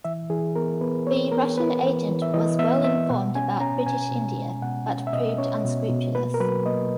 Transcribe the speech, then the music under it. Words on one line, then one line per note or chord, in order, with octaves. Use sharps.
The Russian agent was well-informed about British India, but proved unscrupulous.
E3 E5
E3 G#4
B3 A#4
B3 B4
B3 C#5
B3 A#4
B3 B4
E3
E3
E5
E3 D#5
B3 E5
B3 E5
B2 F#5
C#4 G#5
C#4 A#5
B2 G#5
B2
G#3
B2 F#5
C#4
E5
B2 D#5
C#4 C#5
B2
B2
A#3 B4
A#4
F#3 B4
A#3 D#5